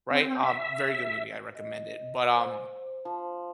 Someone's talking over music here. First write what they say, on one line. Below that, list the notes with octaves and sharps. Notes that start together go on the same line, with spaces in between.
right? Um, very good movie, I recommend it. But, um,
C4
E5
D#5
C5
F3